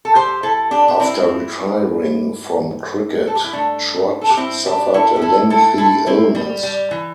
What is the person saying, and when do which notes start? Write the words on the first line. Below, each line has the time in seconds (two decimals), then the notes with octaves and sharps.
After retiring from cricket, Trott suffered a lengthy illness.
0.05 A4
0.15 G4 C5
0.43 E4 A4
0.71 D4 G4
0.88 D4
1.00 C4 E4
3.27 A4
3.35 G4
3.44 E4
3.53 A3 D4
4.21 A4
4.30 G4
4.37 C4 E4
4.66 D4 G4
4.94 E4 A4
5.16 G4
5.22 E4 A4
5.50 E4 A4
5.78 E4 A4
6.07 C4 E4
6.35 G3
6.63 G3
6.91 E3